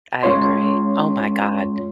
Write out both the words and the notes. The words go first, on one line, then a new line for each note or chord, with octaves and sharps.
I agree. Oh my god.
G#3 C#4 F4 C#5 C6